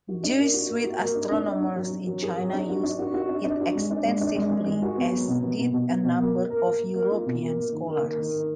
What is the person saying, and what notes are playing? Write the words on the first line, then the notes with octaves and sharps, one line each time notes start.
Jesuit astronomers in China used it extensively, as did a number of European scholars.
F#4
D4
A#3
F#4
A#3
F#4
A#3
D4
D4
D4
D4
F#3
F#3
F#3
G#4
F#3
D4
F#4
D4
F#4
F#4
D4
D4
F#4
G#3
D4
G#3
D4
G#3
G#3
G#3
F#4
B3
F#3
B2
B3
B2
B2
B3
B2
A#3
A#4
A#4
A#4
A#3
A#3
F4
B2
A#3
A#3
D#3
A#3
A#3
D#3
D#3